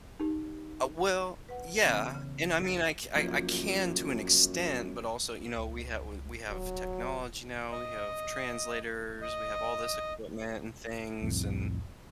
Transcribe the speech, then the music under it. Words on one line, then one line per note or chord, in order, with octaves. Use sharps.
Uh well, yeah, and I mean, I c I I can to an extent, but also, you know, we have we we have technology now, we have translators, we have all this equipment and things and
D#4 G4
B4 F#5
C#3 E3 B3 C#4
C#3
D2 A6
F#2 F3 A#3
C#2
D1 F#3
D#5
D#5
C2 F2 A2